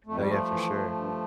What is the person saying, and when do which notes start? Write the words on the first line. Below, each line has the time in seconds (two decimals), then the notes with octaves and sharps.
No, yeah, for sure.
0.06 F2 A3
0.18 G3
0.27 F3 A3
0.50 E3
0.94 G2